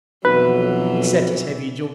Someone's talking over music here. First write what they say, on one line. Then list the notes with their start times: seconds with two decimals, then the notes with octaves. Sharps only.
He set his heavy jaw.
0.25 B1 F2 B2 E3 F#3 B4